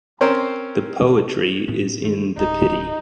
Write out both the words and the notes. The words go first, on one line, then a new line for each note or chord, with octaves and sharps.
The Poetry is in the pity.
C4 C#4 A#4 C5
A2 B3 C#4
D#3 A3 D4
D1 D#4